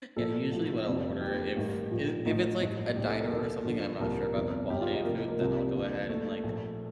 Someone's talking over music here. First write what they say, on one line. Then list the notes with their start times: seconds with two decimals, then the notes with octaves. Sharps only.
Yeah, usually, what I'll order if it if it's, like, a diner or something, and I'm not sure about their quality of food, then I'll go ahead and, like
0.16 A#1 A#2 F3 A4
0.52 A1 A2 F3
0.87 F1 F2 C3 F3
1.21 D#2 D#3 G4
1.56 A1 G2 D#3
1.91 A#1 A#2 F3
2.26 A1 A2 F3 D#4
2.61 A1 G2 F3
2.96 C2 A#2 F3 G4
3.07 A4
3.19 A#4
3.30 D#2 D#3 A4
3.65 D#2 D3 F3
4.00 C2 A#2 F3 A#4
4.22 A#4
4.35 G1 F2 C3 D#3
4.70 G1 G2 D#3 G4
4.81 F4
4.93 D#4
5.04 F1 F2 D#3 A#3
5.16 A#3
5.28 A#3
5.40 C2 C3 F3
5.74 D#2 D3 F3
6.09 D#2 D#3 A3
6.44 A#1 A#2 F3